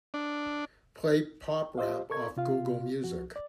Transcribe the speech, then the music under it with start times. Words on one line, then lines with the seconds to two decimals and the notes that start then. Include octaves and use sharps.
Play pop-rap off Google Music.
0.14 D4
1.78 F4 G4 C5 D#5 F5
2.10 A4 A#4 C#6 G#6
2.37 C3 F4 F5
3.04 F3 F#4
3.36 D5